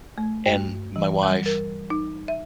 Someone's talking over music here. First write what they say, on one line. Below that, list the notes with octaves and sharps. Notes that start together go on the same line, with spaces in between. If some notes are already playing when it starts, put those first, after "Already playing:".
and my wife.
A3
G2
E3
G3
A#4
D#4
E5